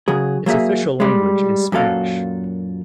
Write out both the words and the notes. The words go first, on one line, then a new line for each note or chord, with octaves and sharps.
Its official language is Spanish.
C#3 F#3 G#4
F#3 A#3 G#4 E5
G3 G#3
F#2 A#2 F#3 A4 F5